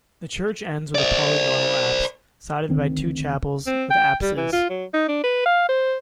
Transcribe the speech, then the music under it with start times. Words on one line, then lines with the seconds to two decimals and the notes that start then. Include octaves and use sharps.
The church ends with a polygonal apse, sided by two chapels with apses.
0.95 C5 D5
2.69 D2 D#3 C4
3.67 C4
3.90 G5
4.22 G3
4.37 E3
4.53 F4
4.70 F#3
4.94 D#4
5.08 D4
5.24 B4
5.46 F5
5.69 C5